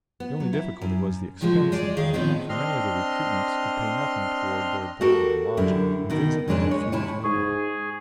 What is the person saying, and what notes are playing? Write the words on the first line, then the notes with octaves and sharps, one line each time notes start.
The only difficulty was the expense entailed, for many of the retreatants could pay nothing toward their board and lodging, and Vincent would refuse nobody.
B3
F#3
E4
F#2
A2 C#3 F3 G#3
G#3 G#4 D5
D#3 G#4 F5
A2 D#3 F3 B3 C4 D#4
C4 D4 D#5 C6 F6
F#4 G4 A4 A#4
F#2 D3 G3 E4 A#4
B2 D#3 D#4
F2 C#3 G#3 D4 C#5 G#5
G#3 C#5
D#2 C3 E4 C#5 G#5 A5
G#2 G#4 C#6